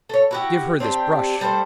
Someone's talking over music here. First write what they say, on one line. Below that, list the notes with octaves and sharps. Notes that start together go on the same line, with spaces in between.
Give her this brush.
A4 C#5
E4 F#4 G4
C4 D4 F4 G4
G3 A3 D4 C5